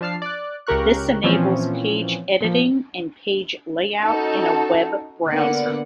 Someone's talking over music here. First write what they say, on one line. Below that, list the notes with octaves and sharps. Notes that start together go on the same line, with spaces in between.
This enables page editing and page layout in a web browser.
F3 D4 A5 F6 C7
D5 F#6
C#2 C#3 G4 A#4 C#6 F#6
A#2 E3 F3 C4 C#4
A#2 F3
C#4 D#4 F#4 A4
D3 A#3 B3 D5 F#5